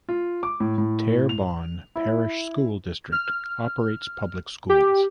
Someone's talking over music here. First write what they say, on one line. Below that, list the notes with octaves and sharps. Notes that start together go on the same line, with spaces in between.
Terrebonne Parish School District operates public schools.
F4
D6
A2
A2
F7
E4
F6
G4